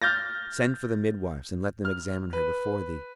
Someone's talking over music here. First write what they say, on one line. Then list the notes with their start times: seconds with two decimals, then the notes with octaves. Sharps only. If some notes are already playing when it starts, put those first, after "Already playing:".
Send for the midwives and let them examine her before thee.
0.02 F6 G6 A6 A#6
1.85 F6
2.33 B4